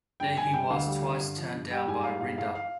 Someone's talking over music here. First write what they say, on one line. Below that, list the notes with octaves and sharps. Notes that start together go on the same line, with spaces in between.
There he was twice turned down by Rinda.
G2 G5
G2 G#5
G3 G5
D2 F5
G3
D3
G2
F3
G2
G3 G5
G#2 G#5
G3 F5
G#2 F5
G#2 F5
F5